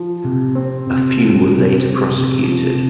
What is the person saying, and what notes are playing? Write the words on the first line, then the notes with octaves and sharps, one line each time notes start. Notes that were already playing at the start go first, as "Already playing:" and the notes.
A few were later prosecuted.
Already playing: F3
C3
C4
C3
F3
C3
C4
C3
F3
C3